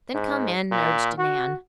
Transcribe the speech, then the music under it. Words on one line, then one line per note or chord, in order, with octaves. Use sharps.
"Then come in," urged Nan.
G#2
A#2
F#4